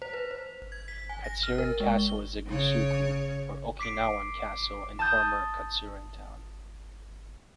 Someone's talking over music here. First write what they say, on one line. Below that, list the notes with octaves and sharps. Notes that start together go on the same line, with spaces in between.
Katsuren Castle is a gusuku, or Okinawan castle, in former Katsuren Town.
C5
B4
C5
G#6
B6
G#5
A#6
F6
A#4
G#3
G7
C#3 C#5
D6 B6 C7 D7
A5 D#6 G6